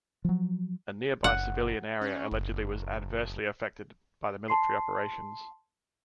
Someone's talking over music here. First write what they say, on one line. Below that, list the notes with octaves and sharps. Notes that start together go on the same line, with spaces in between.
A nearby civilian area allegedly was adversely affected by the military operations.
F3 F#3
F#1 F#5
C#4
F#1
A5 C6 C7